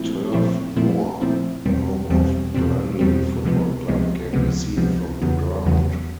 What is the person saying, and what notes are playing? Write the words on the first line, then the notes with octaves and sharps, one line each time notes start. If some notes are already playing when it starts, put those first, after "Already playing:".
Turf Moor, the home of Burnley Football Club, can be seen from the ground.
Already playing: A#2 F3 A3 C4 E4
A#2 F3 A3 C4 E4
A#2 F3 A3 C4 E4
A#2 F3 A3 C4 E4
E2 B2 G3 C4
E2 B2 G3 C4
E2 B2 G3 C4
E2 B2 G3 C4
C#2 C3 F3 G#3 B3
C#2 C3 F3 G#3 B3
C#2 C3 F3 G#3 B3
C#2 C3 F3 G#3 B3
E2 C#3 F#3 B3
E2 C#3 F#3 B3